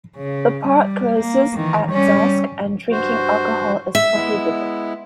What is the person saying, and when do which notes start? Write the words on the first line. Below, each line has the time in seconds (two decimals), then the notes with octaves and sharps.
The park closes at dusk and drinking alcohol is prohibited.
0.17 C#3
0.66 G3
1.20 A#3
1.56 D#3 E3
1.90 G3 C#4
2.91 G2 F#4 C5
3.95 E5
4.14 G#3 B3 E4